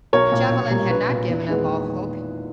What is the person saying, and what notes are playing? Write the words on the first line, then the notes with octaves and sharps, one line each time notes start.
Chauvelin had not given up all hope.
B1 A#4 C#5
A#2 A#3
B1
A#2 G3 A#3
A#1 B4
A#2 A#3
E2
D#3 G#3 B3